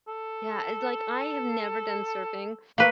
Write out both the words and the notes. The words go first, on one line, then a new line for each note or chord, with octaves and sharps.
Yeah, it's like, I have never done surfing.
A4
A3 A#3 B4